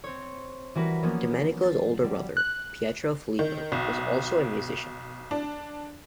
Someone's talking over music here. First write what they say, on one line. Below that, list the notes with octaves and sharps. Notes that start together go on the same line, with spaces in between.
Domenico's older brother Pietro Filippo was also a musician.
C4 C5 C#5
E3 G3 F#4 A#4 B4
F3 F#3 A#3 B3 C#4
A6 C7
F#3 G3
F#6
D#3
B1
D4